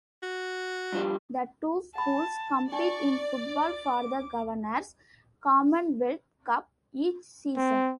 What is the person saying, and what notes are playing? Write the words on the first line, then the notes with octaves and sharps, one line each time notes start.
The two schools compete in football for the Governor's "Commonwealth Cup" each season.
F#4
G2 F3 G3
F#5 A5 B5
D4 D#4 D5 C#6
D6
C4